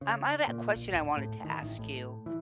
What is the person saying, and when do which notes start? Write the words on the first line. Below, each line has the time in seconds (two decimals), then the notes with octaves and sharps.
Um, I have a question I wanted to ask you.
0.01 C#3
0.47 A#2
0.76 A#1
0.90 D1
1.17 A2
1.45 D#3
1.62 A1
1.79 A2
2.26 E3